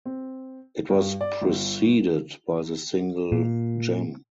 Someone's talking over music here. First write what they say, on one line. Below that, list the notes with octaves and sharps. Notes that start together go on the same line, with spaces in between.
It was preceded by the single "Gem".
C4
G2
D5
G1
A#2